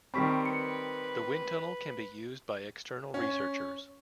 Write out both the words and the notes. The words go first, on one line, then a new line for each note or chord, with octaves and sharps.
The wind tunnel can be used by external researchers.
D#3 G3 C4 B5 C#6 B6
B4 C#7
C#4